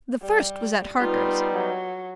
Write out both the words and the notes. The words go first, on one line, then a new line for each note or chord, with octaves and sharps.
The first was at Harker's.
G3
G3 B3 D#4 F4
F#3